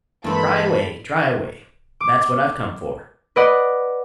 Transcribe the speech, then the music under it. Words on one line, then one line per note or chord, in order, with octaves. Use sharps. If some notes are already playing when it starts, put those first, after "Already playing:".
"Try away, try away; that's what I've come for."
G2 E3 G#3 A#3 C4 A4 B5
D6
B4 D5 D#5 F#5